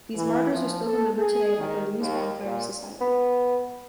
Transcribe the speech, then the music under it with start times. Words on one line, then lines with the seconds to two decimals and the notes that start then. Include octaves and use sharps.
These martyrs are still remembered today by the Lewes Bonfire Society.
0.15 E3
0.51 F3
0.84 A4
1.17 G#4
1.58 D#3
2.00 D#2
2.43 A#2
3.01 B3